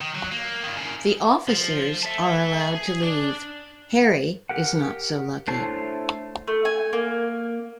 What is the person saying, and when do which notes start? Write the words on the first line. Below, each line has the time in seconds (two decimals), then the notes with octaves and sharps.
The officers are allowed to leave; Harry is not so lucky.
0.01 D#3
0.15 F#3
0.32 A#3
0.64 G2 D#3
0.77 C#3 A#4
1.48 F3
2.03 E5 A5
2.59 G#4
3.03 D4
4.49 G4 A#4 F#5
5.48 A3 D4 E4 C5 C#5 A5
6.48 A3
6.65 G#5
6.93 A#3